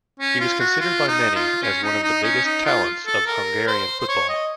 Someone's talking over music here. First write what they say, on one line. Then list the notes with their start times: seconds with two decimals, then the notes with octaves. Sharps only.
He was considered by many as one of the biggest talents of Hungarian football.
0.20 C#4
0.40 F4
0.60 F#4
0.81 F4
1.08 D#4
1.36 F4
1.63 C#4
1.83 D#4
2.04 D#4
2.24 C#4
2.45 D#4
2.65 F4
3.06 A4
3.27 A#4
3.67 C5
4.00 C5
4.09 C#5
4.29 D#5